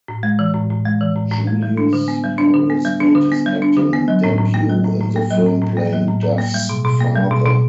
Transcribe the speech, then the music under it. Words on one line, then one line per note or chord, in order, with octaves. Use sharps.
Julius Harris made his acting debut in the film playing Duff's father.
A2
G#3
E3
A2
A2
G#3
E3
A2
A2
G#3
G3
D4
D3
B3
G3
D4
D3
B3
G3
D4
D3
B3
G3
D4
D3
B3
F#3
A2
A2
A#3
F#3
A2
A2
A#3
F#3
A2
A2
A#3
F#3
A2
A2
A#3
G3
B2
B2
A#3
G3
B2
B2